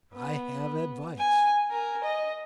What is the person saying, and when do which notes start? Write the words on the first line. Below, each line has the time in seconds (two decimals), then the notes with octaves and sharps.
I have advice.
0.13 B3
1.18 G#5
1.70 A#4 G#5
2.04 D#5